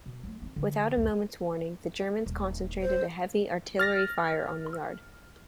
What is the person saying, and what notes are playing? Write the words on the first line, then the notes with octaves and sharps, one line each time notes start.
Without a moment's warning, the Germans concentrated a heavy artillery-fire on the yard.
B2
F#3 A3
A#3 C4
D3 E3
C#2 F#2
D#1
C5
F6 A6 A#6